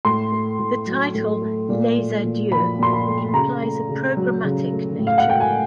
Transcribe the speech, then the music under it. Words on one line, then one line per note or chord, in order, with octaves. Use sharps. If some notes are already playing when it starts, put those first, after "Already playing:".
The title "Les Adieux" implies a programmatic nature.
A2 C6
A3
A2
F#3
A2
A3
A#2
A3
A#2
F3 B5
A#2 C6
B5
A3
C#3 A#5
A3
C#3
F#3
C#3
A3
A2
F5
F#5
A3 G5
G#5